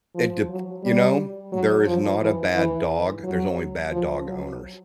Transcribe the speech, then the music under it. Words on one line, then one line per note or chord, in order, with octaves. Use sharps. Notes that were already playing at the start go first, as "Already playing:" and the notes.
It dep you know? There is not a bad dog, there's only bad dog owners.
F3
F#3
G3
F#3
F3
E3
E3
F#3
F3
F#3